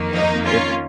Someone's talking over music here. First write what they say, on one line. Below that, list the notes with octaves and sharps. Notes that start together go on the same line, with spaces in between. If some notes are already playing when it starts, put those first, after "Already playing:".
Yeah, fif
Already playing: F2 D#3 A#3
D#4
C#4 F4